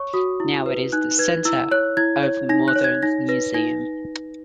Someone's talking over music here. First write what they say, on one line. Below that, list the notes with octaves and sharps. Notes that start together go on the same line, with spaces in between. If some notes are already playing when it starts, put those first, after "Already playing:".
Now it is the center of the modern museum.
Already playing: C#5 C#6
F#4 D#6
E4
B4
D#4 F#6
B4 G#6
E4 E6
C#5 F#6
E4 G#6
C#5
D#4 A#6
F#6
C#5
G#6
D#4 A#6
B4 A#6
D#4 A#6